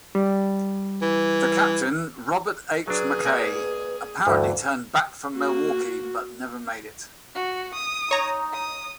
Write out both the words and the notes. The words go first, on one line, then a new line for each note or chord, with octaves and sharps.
The captain, Robert H. McKay, apparently turned back for Milwaukee, but never made it.
G3
E3
F#3 D4 G#4 B4
A#3 D5 G#5
D2 G2 E3
A#3 F#4
F#4
D#6
D#4 C#5 A#5
D#6